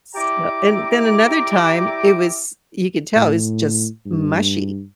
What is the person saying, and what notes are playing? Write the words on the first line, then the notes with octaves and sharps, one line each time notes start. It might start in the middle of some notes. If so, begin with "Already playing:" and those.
So and then another time it was you could tell it's just mushy,
E4 G4 D5 E5 A#5 D6
A2
G2